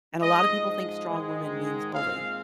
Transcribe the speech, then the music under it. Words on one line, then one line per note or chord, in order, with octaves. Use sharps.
and a lotta people think strong woman means bully.
G#2 F3 G#3 D#5
G#2 D#3 G#3
A#2 G#3 C4 F5